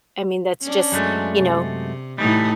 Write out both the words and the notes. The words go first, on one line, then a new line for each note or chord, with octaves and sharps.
I mean that's just, you know,
C#4 D4
F#2 G#3 A3
C3
A2 E3 G3 A3 D#4